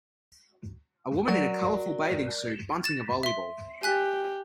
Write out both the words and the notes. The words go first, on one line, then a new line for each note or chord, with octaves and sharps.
A woman in a colorful bathing suit, bunting a volleyball.
F#3 A#4 D5
A6 E7
E5 C6
G4 G#5 F#6 B6